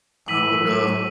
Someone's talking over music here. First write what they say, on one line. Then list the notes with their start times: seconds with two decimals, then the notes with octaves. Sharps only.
I would, uh,
0.28 E3 E6 B6 D#7 F#7
0.62 F#3